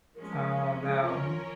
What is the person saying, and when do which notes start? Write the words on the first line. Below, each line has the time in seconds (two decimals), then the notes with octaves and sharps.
Oh no,
0.16 F3 G#3 C#4 A#4
0.37 A#4
0.81 G#4
1.02 F3 C#4 F4 A#4 C#5
1.24 F4